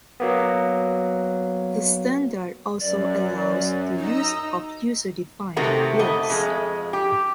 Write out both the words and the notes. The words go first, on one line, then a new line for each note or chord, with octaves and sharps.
The standard also allows the use of user-defined fields.
F#3 A#3 B3
F#2 D5
D5
D#4 D#5 A#5 E6
C3 D#3 A3 F#4 A#4 F#5
F2 A3 D#5
F2 G#3
G4